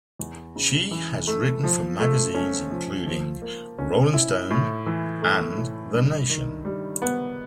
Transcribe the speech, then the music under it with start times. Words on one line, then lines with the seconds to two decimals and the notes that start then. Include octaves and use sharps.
She has written for magazines including "Rolling Stone" and "The Nation".
0.19 E2
0.56 C#3
0.91 E3
1.27 A3
1.64 F3
2.00 A3
2.35 C#4
2.71 F3
3.06 F3
3.42 A#3
3.78 C#4
4.14 E4
4.51 A2
4.86 E3
5.22 A3
5.58 A2
5.94 G2
6.29 D#3
6.65 G3
7.02 B3